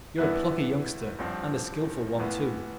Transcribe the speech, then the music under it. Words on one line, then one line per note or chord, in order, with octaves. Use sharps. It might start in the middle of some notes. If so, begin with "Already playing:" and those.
You're a plucky youngster and a skilful one, too.
G2 E3 B3 E4 B4
A1 G2 F3 C4
A2 E3 B3 F4